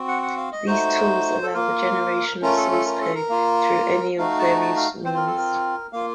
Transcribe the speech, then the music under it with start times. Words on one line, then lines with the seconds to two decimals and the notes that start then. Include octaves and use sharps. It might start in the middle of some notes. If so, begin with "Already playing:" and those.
These tools allow the generation of source code through any of various means.
Already playing: C4 F#4
0.08 F#5
0.22 F#5
0.37 F5
0.52 D#5
0.67 A3 D#4 F#4 C5
1.43 A4
1.54 A#3 F4 A#4
2.42 A3 C#4 F4 A#4
2.57 A4
2.72 A4
2.86 A#4
3.01 A4
3.15 A#4
3.29 A#3 F4
4.18 A3 D#4 F#4 F5
4.39 A5
4.62 A5
4.76 F5
5.05 C4 F4 C5
5.17 A#4
5.27 A4
5.38 A#4
5.93 A#3 F4 F5